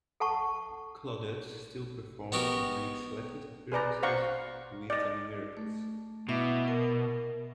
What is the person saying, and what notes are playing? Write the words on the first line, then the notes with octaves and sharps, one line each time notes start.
Claudette still performs and makes selected appearances with the Miracles.
A4 F#5 A5 C#6
B3 D#4 F#4 G4 A#4
G#4 B4 D5 A#5
C5 D5 F5 F#5 A#5 C#6
D5 D#5
A3
B2 E4 E5 D6
A#4